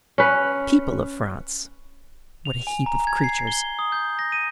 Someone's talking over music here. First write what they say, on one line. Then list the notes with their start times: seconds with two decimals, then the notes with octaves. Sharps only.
People of France! what a heap of creatures!
0.18 C#4 B4
2.45 F7
2.67 G#5
2.86 A#5
3.07 G#6
3.24 C7
3.47 G7
3.79 D#6
3.92 G6
4.19 A#6
4.32 D#7